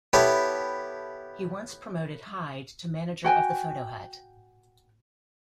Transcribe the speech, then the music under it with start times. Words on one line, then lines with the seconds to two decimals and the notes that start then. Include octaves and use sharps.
He once promoted Hyde to manager of the Foto Hut.
0.13 B3 E4 G4 A4 C#5
3.24 F#4 G5 G#5